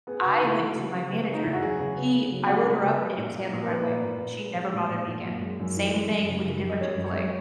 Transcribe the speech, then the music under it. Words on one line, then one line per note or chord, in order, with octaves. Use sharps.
I went to my manager. He I wrote her up and it was handled right away. She never bothered me again. Same thing with a different Chick-fil-A.
B3 G#4
C#3 F#4
D#4
E3 E4
E3 F#4
C#3
C#3
B3
C#3
D#4
E2 E4
F#4
F#3 G#4
C#3
B3
C#3
F#3
C#3 F#4
G#4
C#3 A#4
B3
F#3
A#2
A#3
A#2
A#4
A#3 B4
A#2
A#2
B3
G#3
G#3
A#2
A#2
A#2
F#2
G#3
F#2
E3
G#3
F#2
C#3
F#2
F#2
D#5
F#2 C#5
F#2
C#5
G#3